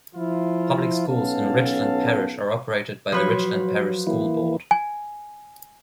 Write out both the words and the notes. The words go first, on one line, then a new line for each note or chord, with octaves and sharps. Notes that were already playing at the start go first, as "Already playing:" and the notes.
Public schools in Richland Parish are operated by the Richland Parish School Board.
F3 E4 F4
B1 B3 C#4 A4 F5 A5
F3 F#3 B4 C#5
E3 A#3 E4
G#5